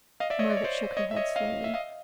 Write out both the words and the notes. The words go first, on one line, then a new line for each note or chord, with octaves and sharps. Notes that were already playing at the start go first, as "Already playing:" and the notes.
Margaret shook her head slowly.
D#5 F5
D5 E5
C#5 D#5
D5
C#5
C5 D5
C#5 D#5
E5
C#5 D#5
D#5 F5
E5
D#5 F5